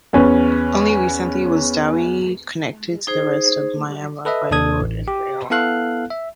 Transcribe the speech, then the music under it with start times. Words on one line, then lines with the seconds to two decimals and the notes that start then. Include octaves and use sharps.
Only recently was Dawei connected to the rest of Myanmar by road and rail.
0.13 E2 C#4 B4
3.07 D#4 G#4 C5
4.25 A4 B4 D#5 E5
4.51 D#2 C3 D4 A4 D#6 G#6
4.81 A1
5.08 G4
5.50 B3 E4 A4 F5 F#6
6.10 E5